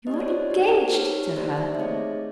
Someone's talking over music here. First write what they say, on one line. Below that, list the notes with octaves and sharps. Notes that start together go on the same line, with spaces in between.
"You are engaged to her!"
A#3 D#4 G4 D#5
D5
C#5
C5 D5
A#3 D#4 G4
A#3 D#4 G4 B4 C#5
A#3 D#4 G4 C5 D5
D5 E5
E5
A3 C4 D#4 G#4 C#5 D#5